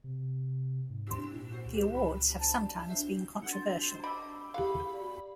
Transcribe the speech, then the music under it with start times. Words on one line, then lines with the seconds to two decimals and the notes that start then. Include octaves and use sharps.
The awards have sometimes been controversial.
0.04 C3
0.90 G#2
1.36 A#2
1.66 C#2
3.52 C5 C6 A6
4.04 D4 D#5 B5 D6 E6
4.54 A4 F5 B5
4.93 G4 D5